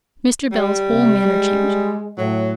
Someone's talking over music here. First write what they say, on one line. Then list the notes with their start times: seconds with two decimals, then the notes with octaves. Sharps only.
Mr. Bell's whole manner changed.
0.52 G3
0.90 C3
1.24 G#3
2.17 A2 F#3